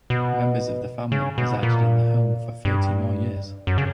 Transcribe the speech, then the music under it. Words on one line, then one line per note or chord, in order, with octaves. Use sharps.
Members of the family resided in the home for thirty more years.
B2
C#3
B2
A#2
G2
F#2
C#3